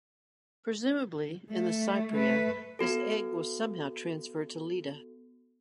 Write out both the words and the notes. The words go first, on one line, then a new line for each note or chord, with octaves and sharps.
Presumably, in the "Cypria", this egg was somehow transferred to Leda.
A3
A3 B4
B3 F#4 A4